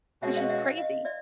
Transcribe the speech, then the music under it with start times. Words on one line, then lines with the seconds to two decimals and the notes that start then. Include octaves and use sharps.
Which is crazy.
0.22 B2 G#3 C#4 F#4 E5 F#5
0.36 D#5 F5
0.49 E5 F#5
0.64 E5 F#5
0.77 D#5 F5
1.05 D5 E5